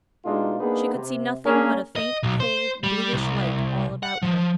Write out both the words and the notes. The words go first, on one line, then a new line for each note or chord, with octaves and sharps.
She could see nothing but a faint cold bluish light all about her.
B2 G#3 A3 D4 D#4 F4
A#3 B3 D4 D#4 G#4 B4
C3
A#3 C#4 D4 G#4 A#4
D#5
B1
C5
G3
C2
F#5
F3